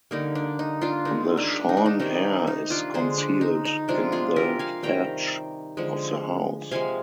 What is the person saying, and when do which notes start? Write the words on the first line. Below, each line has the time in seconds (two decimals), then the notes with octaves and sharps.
The shorn hair is concealed in the thatch of the house.
0.11 D3 G3 A#3 D#4
0.35 D4
0.59 D#4
0.82 D4 F4
1.05 D#3 G#3 D#4
1.37 D4
1.69 D#4
1.77 D4
1.86 D#4
1.99 C3 D#3 G3 D#4 G4
2.47 D#4
2.70 D4 F4
2.94 D3 G#3 G#4 C5
3.18 D4
3.41 D#4
3.65 D#4
3.88 C3 F3 G#3 D4 F4
4.12 F4 G#4
4.36 G4 A#4
4.59 F5 G#5
4.83 C3 D#3 G3 G5 A#5
5.77 D3 F3 G#3
6.71 C3 F3 G#3 F5 G#5